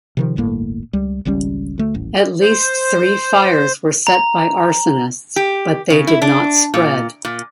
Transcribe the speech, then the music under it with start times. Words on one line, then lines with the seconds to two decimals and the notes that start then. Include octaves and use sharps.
At least three fires were set by arsonists, but they did not spread.
0.17 C3 D#3 F3
0.36 D1 G1 A2 A#3
0.93 C#2 G3
1.25 G#1 C#2 G3 C#4
1.78 D2 A3
1.94 D#1 A1
2.41 C5
4.07 A#5
5.36 G4
5.90 C#3
6.07 E4
6.22 D4
6.74 A#2
7.25 A#2